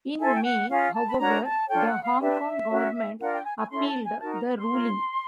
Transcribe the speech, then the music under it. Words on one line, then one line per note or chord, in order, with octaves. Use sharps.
In May, however, the Hong Kong Government appealed the ruling.
E4 A4 C5 G#5
G5
F#5
C#4 F4 G#4 F5
A5
B5
D4 F#4 A#4 C#5 A#5
A5
D4 F4 A4 C#5 G5
F#5
F5
D4 G4 B4 E5
C#4 F#4 A#4 C#5
D4 F4 A#4 F#5
G5
G#5
G#5
C#4 E4 A4 C6
A5
G#5
D#4 F#4 A#4 A5
A#5
B5
C6
F4 A#4 C#5